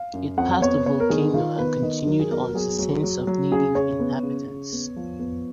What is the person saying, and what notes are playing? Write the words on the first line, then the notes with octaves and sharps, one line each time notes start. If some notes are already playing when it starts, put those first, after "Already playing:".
It passed a volcano and continued on to scenes of native inhabitants.
Already playing: F5
F#2
F2 F#5
B3 C#5
B3 C#5
A#4
D#3 G#4
D#3 F4
B3 B4
D#3 D#5
F#3 A#4
G#4
B3 A#4
F#3 G#4
F#3
F#3
F#3
C#3 G#4
C#3 C#5
B3
C#3
C#3
B3
F3
B3